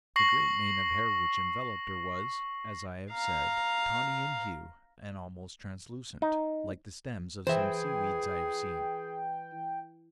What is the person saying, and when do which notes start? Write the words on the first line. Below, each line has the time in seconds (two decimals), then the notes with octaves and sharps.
The great mane of hair which enveloped her was, as I have said, tawny in hue, and almost translucent, like the stems of some seaweeds I have seen.
0.16 C#6 A#6 C7 F#7
3.11 F5 A#5
6.22 D#4
7.47 E3 G#4 C5 E5 G5